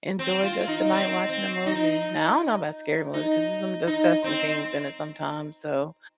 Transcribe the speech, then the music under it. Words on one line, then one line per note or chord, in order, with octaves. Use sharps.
enjoy just the night watching a movie. Now I don't know about scary movies 'cause there's some disgusting things in it sometimes so
C4
F4
D#4
C4
C4
D#4
D#4
D#4
C4